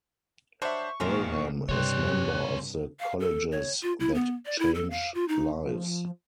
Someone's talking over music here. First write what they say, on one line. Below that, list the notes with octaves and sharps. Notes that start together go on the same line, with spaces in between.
Earlham is member of the Colleges That Change Lives.
F#3 G3 D4 C5 E5 C#6
A#1 D#3 A#3 C#4 F4 A#4
G2 C3 C4 G4 C#5 F#6
F5
A4
C#5
F4
E4
B3
D5
E4
A4
F5
F4
D#4
F3